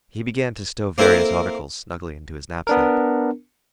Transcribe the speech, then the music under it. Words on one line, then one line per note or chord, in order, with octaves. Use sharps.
He began to stow various articles snugly into his knapsack.
A#3 C4 E4 A4 A#4
B3 D4 A#4